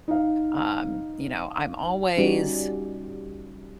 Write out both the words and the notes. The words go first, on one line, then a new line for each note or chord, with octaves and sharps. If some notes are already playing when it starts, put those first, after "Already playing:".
um, you know, I'm always
D#4 F5
G3 C#4 D#4 F#4 G4